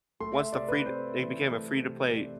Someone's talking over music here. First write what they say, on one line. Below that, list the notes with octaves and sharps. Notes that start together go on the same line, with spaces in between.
once the free it became a free-to-play
A3 C6
E5
C3 D5
B4
C4 C5
E3
A3
C3
C4 D5